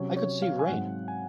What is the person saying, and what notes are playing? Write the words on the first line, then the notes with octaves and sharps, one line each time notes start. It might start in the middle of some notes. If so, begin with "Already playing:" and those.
I could see rain.
Already playing: C3 F#3 C#4 C#5
C#5
F5
G#5
G#2 F#3 C4 F#5
G#5